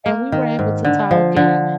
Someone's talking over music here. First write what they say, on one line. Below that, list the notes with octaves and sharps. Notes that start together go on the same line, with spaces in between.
and we were able to talk, and
A#3
D#3
G#2
D3
F3
D3